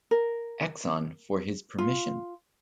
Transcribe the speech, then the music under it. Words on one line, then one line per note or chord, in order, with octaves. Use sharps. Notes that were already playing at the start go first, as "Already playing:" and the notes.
Exon for his permission.
A#4
F4